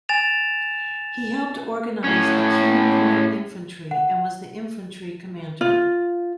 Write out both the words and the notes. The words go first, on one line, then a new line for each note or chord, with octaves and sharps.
He helped organize the Keene light infantry and was the infantry commander.
G#5 A6 E7 F7
A2 C#4
F#5
F4